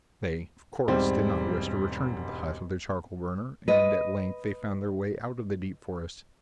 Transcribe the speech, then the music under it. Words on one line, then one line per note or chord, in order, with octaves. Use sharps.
They, of course, did not wish to return to the hut of the charcoal burner, and at length they found their way out of the deep forest.
E1 G#2 G3 C4
B4 D#5